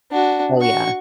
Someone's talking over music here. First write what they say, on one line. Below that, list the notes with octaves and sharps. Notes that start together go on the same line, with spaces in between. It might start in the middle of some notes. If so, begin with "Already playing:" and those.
Oh yeah.
D4 F#4
F#4 C#6